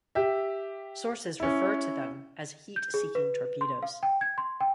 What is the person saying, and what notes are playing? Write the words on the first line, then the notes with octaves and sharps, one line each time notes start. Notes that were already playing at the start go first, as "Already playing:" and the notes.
Sources refer to them as heat-seeking torpedoes.
G4 E5
C#4 E4
G6
G#4
B4
C6
F5
G5
G#6
C6
G5